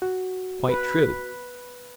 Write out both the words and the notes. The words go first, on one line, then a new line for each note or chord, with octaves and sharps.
Quite true.
F#4
B4